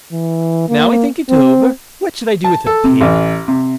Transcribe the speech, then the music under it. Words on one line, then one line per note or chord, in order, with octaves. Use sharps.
Now I think it over, what should I do with a pig?
E3
A#3
C4
A5
A4
C3
A1
C3